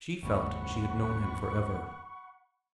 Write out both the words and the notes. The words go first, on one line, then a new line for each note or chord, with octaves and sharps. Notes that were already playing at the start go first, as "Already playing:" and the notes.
She felt she had known him for ever.
F#1 D#2 G#2 F#5 B5 C#6